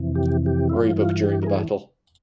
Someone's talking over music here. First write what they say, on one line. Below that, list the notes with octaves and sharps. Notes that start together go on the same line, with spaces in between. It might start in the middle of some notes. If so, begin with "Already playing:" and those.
Roebuck during the battle.
Already playing: F2 C3 E3
G4
G4
E4
G2 E3 F4
F4
G4
A#4
G#4